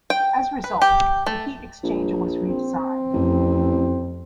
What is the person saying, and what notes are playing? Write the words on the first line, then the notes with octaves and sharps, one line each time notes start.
As a result, the heat exchanger was redesigned.
G5
B4
G4
A3
A#1
C4
A1 F2